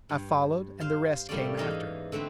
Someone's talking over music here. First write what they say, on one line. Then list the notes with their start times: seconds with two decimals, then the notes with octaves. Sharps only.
I followed, and the rest came after.
0.09 G2
0.80 C5 F5 C6
1.29 A2 G3 A3 A#3 C#4 D5
1.57 E2 G#2 E3 D#4 D#5 F5
2.12 D3 A3 C4 D#4 B4